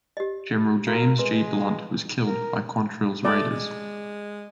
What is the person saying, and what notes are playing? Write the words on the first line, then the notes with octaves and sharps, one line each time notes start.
General James G. Blunt, was killed by Quantrill's Raiders.
G4 D#5
F#4 A#4 F5
G#3 B4 C6
A#4
A3 D5
G#3